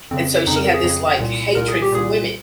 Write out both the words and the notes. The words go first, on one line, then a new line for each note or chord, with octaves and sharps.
and so she had this, like, hatred for women,
F2 C#3 C4
F2 C#3 D#4 A#4
A#4
G#4
F2 C#3
C2 A#2
C2 A#2 A#4
G#4
G4
C2 A#2 G#4